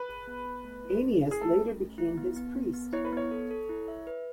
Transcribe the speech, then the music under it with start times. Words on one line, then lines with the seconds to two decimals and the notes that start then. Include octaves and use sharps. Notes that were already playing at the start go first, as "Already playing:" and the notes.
Anius later became his priest.
Already playing: B4
0.09 G#4
0.27 B3
0.46 B3
0.65 A3
0.84 E4
1.04 C#4
1.23 E4
1.31 G#4
1.41 A3 A4
1.60 C#4
1.80 A3
1.98 E4
2.18 B3
2.36 B3
2.55 B3
2.74 B3
2.93 E4 C#5
3.05 B4
3.13 B3 C#5
3.31 A4
3.51 A4
3.69 E4
3.88 E5
4.07 B4